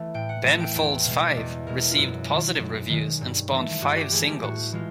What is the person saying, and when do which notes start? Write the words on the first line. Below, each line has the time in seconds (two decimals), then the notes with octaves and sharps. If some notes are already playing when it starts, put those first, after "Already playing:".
"Ben Folds Five" received positive reviews, and spawned five singles.
Already playing: E3 A3
0.14 A2 G5
0.29 F#5
0.44 E3 A3 F#5
0.60 G5
0.75 E2 G5
1.06 B2 G#3 F5
1.28 D5
1.36 E2 D#5
1.67 B2 G#3 A#4
1.91 F4
1.97 F#2 E4
2.29 D#3 G#3 F4
2.59 F#2
2.89 D#3 G#3
3.21 G2
3.52 E3 A3
3.82 G2 F#4
3.97 G4
4.12 E3 A3 G#4
4.27 G4
4.43 A2 F#4
4.72 E3 G#3 F4